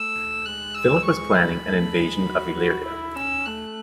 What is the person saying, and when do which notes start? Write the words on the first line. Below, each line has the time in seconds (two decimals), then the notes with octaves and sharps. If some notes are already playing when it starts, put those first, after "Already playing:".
Philip was planning an invasion of Illyria.
Already playing: A3 E6
0.45 G#3 F#6
0.75 E6
1.05 C#6
1.35 B5
1.66 A3
1.96 G#3
2.26 F#4
2.57 F#4
2.86 E4
3.16 C#4 E6
3.46 A3 F#6